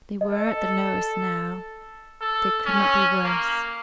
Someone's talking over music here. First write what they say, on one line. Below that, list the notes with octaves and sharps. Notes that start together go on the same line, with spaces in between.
They were at the lowest now; they could not be worse.
A4 D#5
A4
C#4
A#3